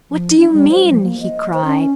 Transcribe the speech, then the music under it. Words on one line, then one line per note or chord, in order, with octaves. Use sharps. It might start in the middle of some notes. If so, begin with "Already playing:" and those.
"What do you mean?" he cried.
F3
D4
G3
C5
F3
A#3
D#5
C5
C#4